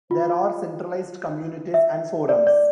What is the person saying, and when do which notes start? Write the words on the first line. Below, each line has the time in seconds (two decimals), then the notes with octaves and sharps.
There are centralized communities and forums.
0.11 F4
1.74 E5
2.29 D5
2.47 D5